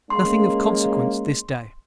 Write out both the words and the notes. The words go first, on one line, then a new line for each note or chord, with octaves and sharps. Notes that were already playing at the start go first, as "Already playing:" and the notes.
Nothing of consiquence this day.
G#3 A#3 C#4 C6